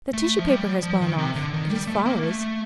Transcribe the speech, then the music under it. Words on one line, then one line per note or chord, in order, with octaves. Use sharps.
"The tissue paper has blown off: it is flowers."
A3
F3
G3
F3
D#3
C3
D3
D#3
G3
A3
A#3
A3